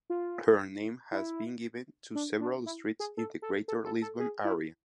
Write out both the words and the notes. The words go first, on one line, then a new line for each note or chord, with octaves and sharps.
Her name has been given to several streets in the Greater Lisbon area.
F4
E4
D4
D4
E4
G#4
A4
A4
A4
A4
A4
G#4
E4